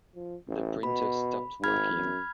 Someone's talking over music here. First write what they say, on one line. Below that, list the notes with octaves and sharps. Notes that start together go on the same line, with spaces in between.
The printer stopped working.
F3
A1
B2 B5
G#1 B5 F6 G#6
F#2